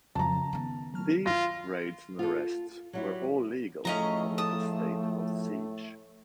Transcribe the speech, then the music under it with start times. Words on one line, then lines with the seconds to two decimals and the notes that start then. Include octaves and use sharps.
These raids and arrests were all legal under the state of siege.
0.15 F2 C#3 F#3 A5 A#5
0.53 D#3 B3
0.94 F#3 F6
1.26 F4 A#6
2.19 F4 A4
2.93 F#3 G3 E4
3.85 A2 F3 A3 C#4 F4 G#4 D#5 A#5
4.38 A5 D#6